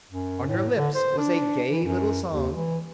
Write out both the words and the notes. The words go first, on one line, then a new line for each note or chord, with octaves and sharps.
On her lips was a gay little song.
F#2
A2
D3
C5
D4
E3
F#2
D#2
E3